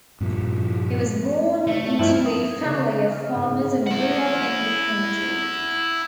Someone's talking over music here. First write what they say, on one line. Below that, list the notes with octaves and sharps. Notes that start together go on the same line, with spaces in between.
He was born into a family of farmers and grew up in the country.
G2 A#2 F3
A3
G2 F3 D#4 E4
D#6
G#6
C#3
E7
F6
G#2
E4 F#5